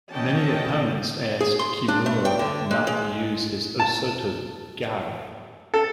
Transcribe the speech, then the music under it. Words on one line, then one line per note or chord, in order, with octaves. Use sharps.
Many opponents asked Kimura not to use his osoto gari.
E3 C#4 F#4 D#5 G5 A5
G#4
C6
D4
A3
G5
D3
G#3
G#3
A5
A4